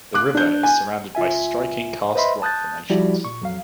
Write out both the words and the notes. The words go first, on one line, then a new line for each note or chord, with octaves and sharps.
The river is surrounded by striking karst rock formations.
D6 F#6
D4 G6
G#5
C#2 F4 E5 G#5
B4 C5 D#5 E5 B5 C6
A5 D#6 F#6 G6 A6
F3 G3 E4 F#4 G4 D5
A#2 C#6
F2 F#3 F5